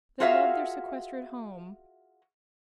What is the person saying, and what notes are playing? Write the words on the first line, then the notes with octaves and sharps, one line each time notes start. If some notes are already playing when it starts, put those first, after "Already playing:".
They loved their sequestered home.
F4 F#4 G#4 A#4 E5 F5